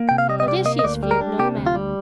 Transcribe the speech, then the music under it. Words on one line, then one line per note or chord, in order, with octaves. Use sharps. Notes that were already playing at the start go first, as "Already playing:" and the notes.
Odysseus feared no man.
Already playing: A#3
C3 G5
F5
G3 D#5
D#5
C3 D5
A#3 D#5
D#5
D2 D5
G3
A#4
D4
C3 G4
D2
F4
G3